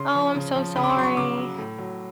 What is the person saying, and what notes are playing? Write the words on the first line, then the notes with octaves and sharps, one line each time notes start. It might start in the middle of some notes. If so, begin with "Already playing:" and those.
Oh, I'm so sorry.
Already playing: C#3 C6
F3
C#3
F3
C#3 B5
D6
C#6
F#3 C6
C#6
C#3 D6
F#3
A2
F#3